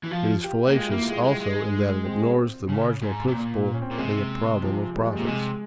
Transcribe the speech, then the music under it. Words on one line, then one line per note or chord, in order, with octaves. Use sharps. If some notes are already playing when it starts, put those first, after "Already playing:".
It is fallacious also in that it ignores the marginal principle in the problem of profits.
E3
F3 F4
G4
A#3
G#3 F4
A#3 E4
F4
G#3
G#3
G#3
C4
C#3
G#2
C3
A#2
C#4
C4
A#2 A#3
C3 G#3
F3
G3
G#3
G3
A#2
C3 G#3